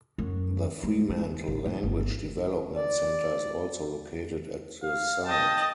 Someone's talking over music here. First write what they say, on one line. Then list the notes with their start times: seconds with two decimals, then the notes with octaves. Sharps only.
The Fremantle Language Development Centre is also located at the site.
0.18 F#2
0.83 G#3
1.09 G#3
1.24 D#2
1.47 A1
1.66 E3
1.83 G1
2.75 D5
4.83 F5
5.27 D#5 G5 A5